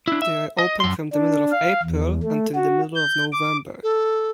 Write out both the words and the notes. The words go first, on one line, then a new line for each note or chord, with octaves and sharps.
They are open from the middle of April until the middle of November.
D4 E4
E5
D#5
F#2 C6
D4
F5
E2
A3
F#4
G6
D6
A4